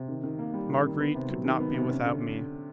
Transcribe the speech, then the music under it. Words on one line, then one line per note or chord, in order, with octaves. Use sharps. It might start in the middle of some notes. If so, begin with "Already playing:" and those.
Marguerite could not be without me.
Already playing: C3
D#3
D#3
A#3
G3
D#3
D#3
B3
C3
F#3
D#3
B3
C3
C#4
D3